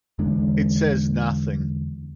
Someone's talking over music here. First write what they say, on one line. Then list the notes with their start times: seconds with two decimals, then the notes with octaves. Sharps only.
It says nothing.
0.19 E2 D3 G#3 D4